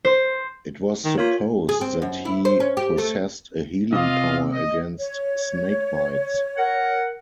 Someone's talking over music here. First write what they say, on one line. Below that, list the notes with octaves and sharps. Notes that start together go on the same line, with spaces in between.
It was supposed that he possessed a healing power against snake bites.
C5
D#3
A#3 F4 C#5
G#4
C4
F#2
E4
C5
C#4
G4
A3
C3 F4 D#5 F5
D#5
C#5
A#4 F#5